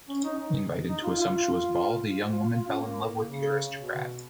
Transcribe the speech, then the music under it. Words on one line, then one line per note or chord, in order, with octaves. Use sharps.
Invited to a sumptuous ball, the young woman fell in love with the aristocrat.
C#4
D#4
D#4
F4
F4
F4
F4
F4
C#4
A#3
C#3
B2